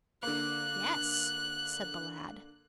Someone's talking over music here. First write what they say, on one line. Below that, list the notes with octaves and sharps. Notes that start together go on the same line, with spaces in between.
"Yes," said the lad.
D3 A#3 F#6